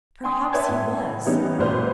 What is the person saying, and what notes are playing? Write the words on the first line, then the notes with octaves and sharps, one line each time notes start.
'Perhaps he was.
G5 G#5 C6 D#6
B4 C#5 E5 G5 A5 G#6
A2
E3 G3 A#3 B3 C#4 D#4
G#1 A#2 F#3 B4 C5 F6